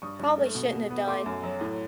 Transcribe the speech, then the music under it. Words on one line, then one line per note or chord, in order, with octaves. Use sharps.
probably shouldn't have done.
G2 C#6 D#6
G2
A3
B2
B2
B3
A3 C6 D6
F#2
F#3
A2